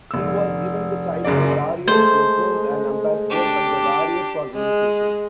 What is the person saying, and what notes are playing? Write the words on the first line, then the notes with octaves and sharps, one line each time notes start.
He was given the title "Warriors Legend and Ambassador" by the Warriors organization.
F1 E6
F#1 F#2 G#4 D5
G#3 A3 A4 C5
D4 G4
G#3